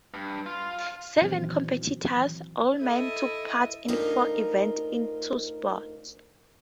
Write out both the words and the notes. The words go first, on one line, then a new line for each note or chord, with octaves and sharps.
Seven competitors, all men, took part in four events in two sports.
G2
F4
A#2 D#3 E3 F#3 C4
E4 A4 D#5 E5
D2 D#4 F4 A#4